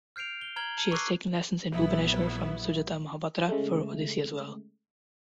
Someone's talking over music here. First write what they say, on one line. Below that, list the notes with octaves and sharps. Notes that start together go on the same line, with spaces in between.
She has taken lessons in Bhubaneshwar from Sujata Mahapatra for Odissi as well.
F6 G6 C7 D7 F7
G7
A#5 F6 G#6 F#7 G7
A5 C#7 D#7
C#6 D6 E6 F#6 G#6 C7
A#1 F#3 B3 E4
C#3 G#3 A3